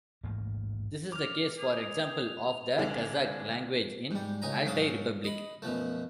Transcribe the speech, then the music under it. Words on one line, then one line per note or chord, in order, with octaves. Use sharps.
This is the case, for example, of the Kazakh language in Altai Republic.
A1 D2 G#2 A#3
D6 F6 F7
G#4 F7
C2 D3 D4 A4 G#5
G#2 G3
C#2 C#4 D#4 G#5 A#5
G#2 F#3 F4 A5 D#6
D#5 B5
F#2 B2 F3 A3